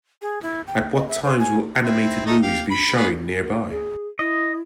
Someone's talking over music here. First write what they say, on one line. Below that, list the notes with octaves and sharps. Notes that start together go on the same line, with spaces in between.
At what times will animated movies be showing nearby?
G#4
E4
G5
D#5
E5
C5
G#5
C4 E4
A3 D#4 D#5
G4 F5
B5
B3 G#4 B4
G#4
E4 D#5